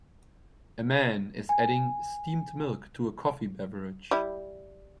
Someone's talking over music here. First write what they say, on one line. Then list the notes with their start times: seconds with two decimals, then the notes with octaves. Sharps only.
A man is adding steamed milk to a coffee beverage.
1.49 G#5
4.11 G3 E4